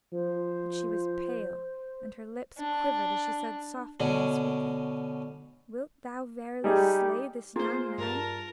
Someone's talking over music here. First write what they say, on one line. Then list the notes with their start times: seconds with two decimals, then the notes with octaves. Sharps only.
But she was pale and her lips quivered as she said softly and sweetly: "Wilt thou verily slay this young man?"
0.13 F3 C5
2.58 D4
4.00 B2 D3 C#4
6.64 G3 D#4 G4 G#4
7.56 A#3 F4 G#4 C5
7.98 G2 A#4 A5